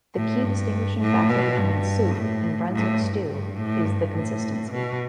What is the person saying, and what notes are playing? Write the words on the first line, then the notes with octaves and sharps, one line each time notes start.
The key distinguishing factor between soup and Brunswick stew is the consistency.
A2
G2
A2
B2
G2
A2
A2
G2
G2
A2
G2
A2
B2